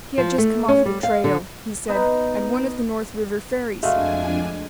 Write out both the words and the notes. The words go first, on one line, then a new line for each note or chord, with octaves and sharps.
He had just come off the "trail," he said, at one of the North River ferries.
F3
A3
C#4
G3
F5
D3
B3 D#4
F2 G#3 A3 D4 F#4 E5 F5 G#5